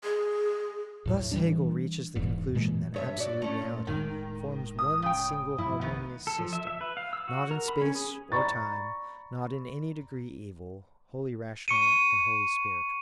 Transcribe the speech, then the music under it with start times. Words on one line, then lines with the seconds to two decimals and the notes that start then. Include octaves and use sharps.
Thus Hegel reaches the conclusion that Absolute Reality forms one single harmonious system, not in space or time, not in any degree evil, wholly rational, and wholly spiritual.
0.04 G#4
1.05 D#2 A2 F#3
1.32 E3 F3 G3 D4
2.15 D#1 E2 G#2
2.55 A#2 E3 G#3 A#3
2.94 G2 C#5 E5
3.18 F#4 D5
3.42 A3 C#4
3.62 A#2
3.87 E1 A2 D#3 G#3
4.79 D#6
5.02 C#3 G5
5.58 G2 F3 A3 E4
5.81 B1 D#3 B3
6.27 A4
6.39 F3
6.53 E5
6.67 E5
6.81 B4
6.97 F5
7.13 E6
7.28 F#4
7.51 A#4
7.68 B5
7.81 C#4
7.95 G#4
8.32 D5 A#5 B5 C#6 A6
11.68 C#6 C#7 D#7